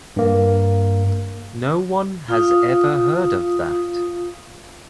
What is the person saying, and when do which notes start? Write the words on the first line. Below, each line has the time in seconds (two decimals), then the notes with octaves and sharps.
No one has ever heard of that.
0.16 G2 A#3
2.28 F4 F5 D#6